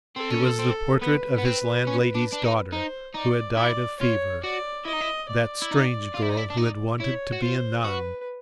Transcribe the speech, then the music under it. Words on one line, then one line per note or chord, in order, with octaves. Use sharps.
It was the portrait of his landlady's daughter, who had died of fever, that strange girl who had wanted to be a nun.
C4 A4
C#4
C4
C4
B3 B4
B3
C4
C#4
D4
D4
D#4
D#4 C5
D#4 D5
E4 D5
F4 C#5
F#4 D5
E4 D#5
D#4
E4
D5
E4
D#4
F4
E4
D#4
E4
D4
D#4
E4 C#5
F#4
F4 C5
F#4 B4